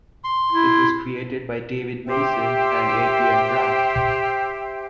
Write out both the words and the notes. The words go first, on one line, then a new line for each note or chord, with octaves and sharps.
It was created by David Mason and Adrian Brant.
C6
E4
G4 C5 E5 G5